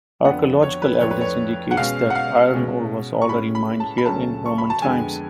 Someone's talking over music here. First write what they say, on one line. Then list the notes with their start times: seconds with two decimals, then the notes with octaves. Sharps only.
Archaeological evidence indicates that iron ore was already mined here in Roman times.
0.25 F2 D3 F3 B3 D4 F#5
0.63 C#5
0.82 B4
1.01 F2 F3 A3 D4 C#5
1.11 B4
1.21 C#5
1.71 F#5
1.77 B2 G#3 C#4 F5
2.10 F#5
2.15 F5
2.53 B2 G#3 C#4
3.22 C#6
3.29 A2 G#3 C#4 B5
3.55 B5
3.80 A5
3.98 B5
4.06 D2 C#3 F#3 A3 C#4 A5
4.46 C#6
4.58 B5
4.70 A5
4.82 F2 D3 G#3 B3 G#5